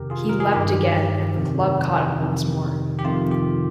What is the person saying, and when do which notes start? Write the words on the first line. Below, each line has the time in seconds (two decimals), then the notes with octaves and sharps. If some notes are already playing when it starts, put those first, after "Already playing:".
He leapt again, and the club caught him once more.
Already playing: F2 C3 D#3 G4 A#4
0.10 F4 G#4
0.29 A#4
0.40 G#4
0.53 G2 D#3 G4
1.36 F2 C3 D#3
2.20 F2 C3 D#3
2.99 G4
3.04 F2 C3 D#3 F4
3.31 G4